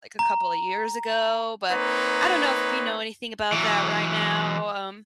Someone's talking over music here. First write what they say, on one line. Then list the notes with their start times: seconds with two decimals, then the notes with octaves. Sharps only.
like, a couple of years ago, but I don't know if you know anything about that right now, um,
0.19 A#5
1.70 A#3 C4 D#4 B4 C#5
3.52 E3 F#3